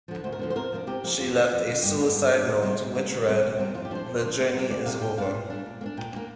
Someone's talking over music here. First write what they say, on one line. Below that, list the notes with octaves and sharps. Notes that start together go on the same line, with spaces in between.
She left a suicide note, which read: The journey is over.
D3 F3
D2 C5
A#4
D3 F3 C5
C5
C3 A#4
F3 A#3 D4
C3 G4
F3 A#3 D4
F2 F4
D3 A#3
F2
D3 A#3
G2 G4
D3 A#3 D4
G2
D3 A#3 D4
D2
C3 G3 A#3
D2
C3 G3 A#3
D2
C3 G3 C4
D2
C3 G3 C4
F2 F4
G4
F3 D4 C5
F2
F3 D4
D2
C3 G3
D2 D5
C3 G3 F5
A#2 G5
G3 D4 F5
A#2
G3 D4
A#2
A#3
D4
A#2 G5
A#3 D4